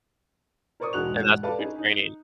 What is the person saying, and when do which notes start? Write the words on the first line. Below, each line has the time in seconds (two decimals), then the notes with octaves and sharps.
and that's what you're training.
0.80 A#4 C5 D5 C#6 D#6
0.93 E1 G#2 G#3 F#4 F#6 F7
1.43 A4 B4 D5 F5 A5
1.59 C#4 D#4 G#4
1.78 D#4